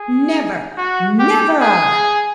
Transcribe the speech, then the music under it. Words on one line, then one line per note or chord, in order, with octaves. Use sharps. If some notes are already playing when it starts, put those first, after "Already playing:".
Never, NEVER!'
Already playing: G#4
F#4
G4
G#4